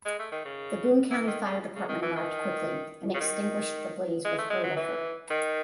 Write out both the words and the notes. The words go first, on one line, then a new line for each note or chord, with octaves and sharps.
The Boone County Fire Department arrived quickly and extinguished the blaze with great effort.
G#3
A3
D#3
C#3
E3
D#3
C#3
C#3
D#3
E3
D#3
C#3
D#3
G#3
A3
G#3
F#3
E3
D#3